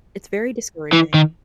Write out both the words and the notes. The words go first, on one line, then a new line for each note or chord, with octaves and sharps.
It's very discouraging.
E3
D#3